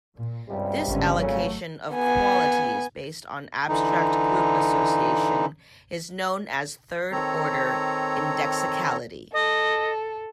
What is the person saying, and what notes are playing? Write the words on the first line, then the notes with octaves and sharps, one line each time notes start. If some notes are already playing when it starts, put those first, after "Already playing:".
This allocation of qualities based on abstract group association is known as third-order indexicality.
A#2
C#2 G2 C3 G3
G#1 D3 C#4
A#2 C#3 F#3 A3
B3 G#5
D3 E3 D#4
D#3 C4 A4 C#5 A#5
A4 D#5